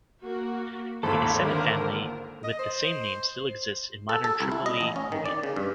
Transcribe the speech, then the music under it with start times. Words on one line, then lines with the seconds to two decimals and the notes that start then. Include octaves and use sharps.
A descendant family with the same name still exists in modern Tripoli-Libya.
0.23 A#3 F#4
1.03 G#1 D#2 A#2 A4 B5
1.39 D3 A#4
2.44 D#5
2.59 C5
4.09 A4
4.24 A4
4.40 C2
4.52 E4
4.66 D#5
4.81 A1
4.96 C#4
5.12 D#3
5.26 D5
5.43 C#3
5.56 G2